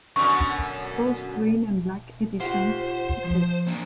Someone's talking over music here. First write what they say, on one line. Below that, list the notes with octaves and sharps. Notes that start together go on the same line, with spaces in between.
Both green and black editions exist.
F#2 D3 B3 C#6
F4 G4 C5 F#5
F3
A#3 D4